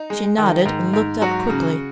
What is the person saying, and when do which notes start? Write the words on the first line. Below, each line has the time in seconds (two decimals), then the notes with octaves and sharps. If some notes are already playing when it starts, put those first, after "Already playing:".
She nodded, and looked up quickly.
Already playing: D#4
0.10 G#3
0.38 D#3
0.66 G#2
0.94 G#2
1.22 F#3 F#4
1.49 C#3